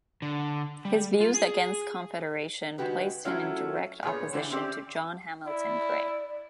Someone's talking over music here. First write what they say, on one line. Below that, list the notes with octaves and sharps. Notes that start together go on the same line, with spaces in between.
His views against Confederation placed him in direct opposition to John Hamilton Gray.
D3
G3
F4
G#4
D#3 G#3 F#4 G4 B4
F#3 A3 C#4 E4 F4
A#2 B3 G#4 C#5
D3 E3 G3
C4 C#4 G4 D5
E4 D5